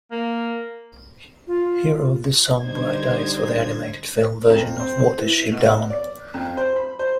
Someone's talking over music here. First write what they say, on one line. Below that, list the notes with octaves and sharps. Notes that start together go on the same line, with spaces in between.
He wrote the song "Bright Eyes" for the animated film version of "Watership Down".
A#3
F4
D3 G3 D4 D#4 C5 G#6
F2
C4
E3
B2
D5
F2
C5
B5
C5